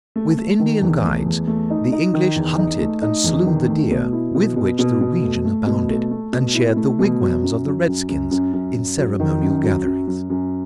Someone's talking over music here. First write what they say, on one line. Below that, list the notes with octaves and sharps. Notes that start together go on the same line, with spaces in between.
With Indian guides, the English hunted and slew the deer with which the region abounded and shared the wigwams of the redskins in ceremonial gatherings.
A3
A3
D#3
E2
A3
E2
A3
D#4
D#4
D#3
E2
D#4
A3
D#4
E2
D#3
A3
B2
E4
B2
B2
B2
B2
A3
A3
B2
A3
A3
B2
E4
A3
B2
F#3
F#2
F#3
F#2
F#2
F#2
F#2
F#2
F#3
D#3
F#2
F#3
F#2
F#2
F#2